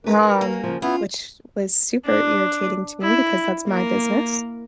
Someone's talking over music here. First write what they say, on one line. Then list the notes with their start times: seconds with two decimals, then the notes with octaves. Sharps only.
Um, which was super irritating to me because that's my business.
0.04 D4 F#4 A#4 B4 G#5
0.41 A#3
0.64 C#3 F3
0.82 B3 C#4 E4 F4
2.06 D4
3.02 E4
3.68 A#3 A#4